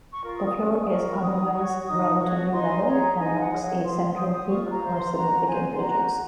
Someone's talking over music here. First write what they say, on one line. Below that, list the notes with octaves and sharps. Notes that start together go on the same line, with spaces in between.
The floor is otherwise relatively level and lacks a central peak or significant ridges.
C#6
F4 A#4
C#6
D#6
D#6
C#4 C#6
D#6
F4 A#4 C#6
D#4 D#6
F#4 C#5 C#6
D#4 D#6
F#4 C#5 C#6
D#4 C6
G#4 C#5 A#5
D#4 G#5
F#5
G#4 C#5
C#5
F4 C6
C5 D#6
D#6
F4 C#6
A#5
C5
C6
F#4 A#5
C5 G#5
C6
F#4 A#5